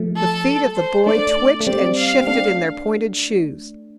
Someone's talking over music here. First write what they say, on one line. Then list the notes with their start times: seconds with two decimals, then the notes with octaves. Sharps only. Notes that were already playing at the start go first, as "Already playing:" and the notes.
The feet of the boy twitched and shifted in their pointed shoes.
Already playing: F3 A3
0.16 A4
0.76 C5
1.06 A3 D4 D5
1.60 A3
1.66 G3 C4 D5
1.97 F5
2.21 C4
2.26 A3 D4 F5